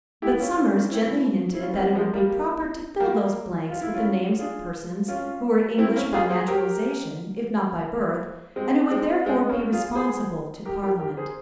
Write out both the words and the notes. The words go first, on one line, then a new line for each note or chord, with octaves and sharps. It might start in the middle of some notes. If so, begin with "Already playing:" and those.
But Somers gently hinted that it would be proper to fill those blanks with the names of persons who were English by naturalisation, if not by birth, and who would therefore be responsible to Parliament.
E4 G4
C#4 F4
C#4 F4
A#3 C#4
C4 E4
E4
C#4 F4
C4
G3 A#3
F3 G#3
G3 A#3
G3 A#3
F4
E4
C#4 F4
F4 G#4
C#4 F4
C4 E4
A#3 C#4
F4 G#4
G#4 C5
G4 A#4
G#3 C4
G#3 C4
G#3 C4
A#3 C#4
F4 G#4
G#4 C5
G4 A#4
G4 A#4
G4 A#4
G#4 C5